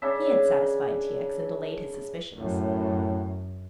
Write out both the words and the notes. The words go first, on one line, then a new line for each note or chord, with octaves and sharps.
He had satisfied T. X. and allayed his suspicions.
C#3 D4 E5
F#2 A2